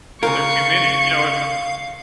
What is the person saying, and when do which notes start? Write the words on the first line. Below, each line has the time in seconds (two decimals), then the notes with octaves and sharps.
if there's too many. You know, if
0.23 C#3 F4 A#4 F5 C#6